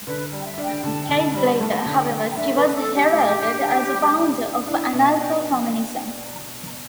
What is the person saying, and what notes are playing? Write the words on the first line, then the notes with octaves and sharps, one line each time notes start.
Decades later, however, she was heralded as a founder of anarcha-feminism.
D3 B4
G3
G5
E5
D4
G5
D3 A5
G5
D3 A5
G3 B5
A3 A5
D3
G5
A3
G5
D4 E5
B4
D4
A4
D4
G4
A2
D4
D4
G3
D4
D4
D4 E4
B2 E5
D4 G5